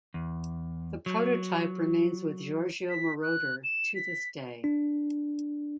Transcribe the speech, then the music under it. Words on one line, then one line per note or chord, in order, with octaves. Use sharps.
The prototype remains with Giorgio Moroder to this day.
E2
F#3
B6
F#6
E7
B6
D4